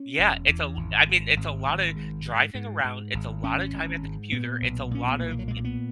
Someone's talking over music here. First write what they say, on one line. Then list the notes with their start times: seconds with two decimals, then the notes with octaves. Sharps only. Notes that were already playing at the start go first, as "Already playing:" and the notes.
yeah, it's a l I mean, it's a lotta driving around, it's a lotta time at the computer, it's a lot of yep
Already playing: C#4
0.19 E1
0.48 E2
0.77 G#1
1.07 G#2
1.37 G#1
1.66 G#1
1.96 G#2
2.26 G#2
2.54 G#2
2.84 G#2
3.14 G#1
3.43 G#1 C#4
3.73 G#1
4.03 G#2
4.32 A#2 B3
4.62 B1
4.91 A#2 C#4
5.08 B3
5.20 B1 A#3
5.31 E3
5.39 F#3
5.48 A#2 G#3
5.57 A#3
5.65 B3